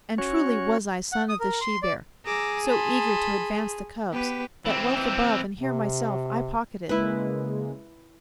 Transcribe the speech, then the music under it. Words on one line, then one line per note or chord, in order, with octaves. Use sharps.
And truly was I son of the She-bear, So eager to advance the cubs, that wealth Above, and here myself, I pocketed.
C#4 F#4 C#5
F#5
D#6
A#4
C6
D5
G#4 A#5 D6 E6
A5 B5 C6
B3 G4 B4
E3 C4
C3
C#3 G#3 A#3 E4 B4